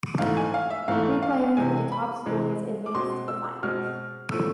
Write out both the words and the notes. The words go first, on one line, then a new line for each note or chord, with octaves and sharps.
The three players with the top scores advance to the finals.
G#2 E3 A3 F5
G#5
F5
E5
G#2 E3 A3 F5
F5
C3 E3 G#3 C4 G#5
B5
C3 E3 G#3 C4
D6
B2 G#3 C4 C6
E6
B2 G#3 C4 F6
A2 F3 A3 E6